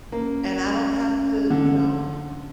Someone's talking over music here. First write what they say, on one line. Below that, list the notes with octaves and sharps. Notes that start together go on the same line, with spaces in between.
and I don't have to, you know,
A#3 C#4
D3